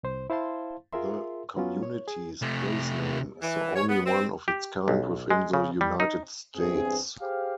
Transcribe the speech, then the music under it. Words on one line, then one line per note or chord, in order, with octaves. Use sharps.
The community's placename is the only one of its kind within the United States.
C2 C5
E4 C5 F5 A5 C6
F4 G#4 A#4 E5 C6
F#3 B3 C#4 F4
C#5
G#4
C3 A3
E3
C#5
B3
C4
G4
B1
G#3
C#3
G3
D#4
E2 G2 C4 G#4
G4 G#4 C5 F5